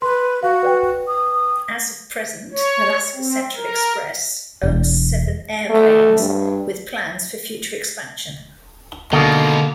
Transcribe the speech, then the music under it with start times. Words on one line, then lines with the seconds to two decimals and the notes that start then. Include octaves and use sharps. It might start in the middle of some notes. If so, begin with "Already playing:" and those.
As of present, Alaska Central Express owns seven airplanes with plans for future expansion.
0.02 B4 C6
0.43 F#4 F5
0.63 B4 D5 G5
1.08 D#6
2.53 C#5
3.15 C4
3.56 A#4
4.63 E1
5.70 A3
6.20 G2
9.13 B2 D3 D#3 G#3 A#3